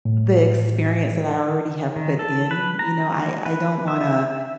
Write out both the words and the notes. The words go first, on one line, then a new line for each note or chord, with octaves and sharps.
the experience that I already have put in, you know, I I don't wanna,
A2
D#3
A4
B4
A#5
B4
E5